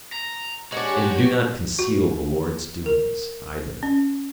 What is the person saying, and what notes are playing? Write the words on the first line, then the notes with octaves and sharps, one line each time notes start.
And you do not conceal the Lord's doings, either.
A#5
G#3 D4 F#4 G4 C#5 F#5
F#4
A#4
C#4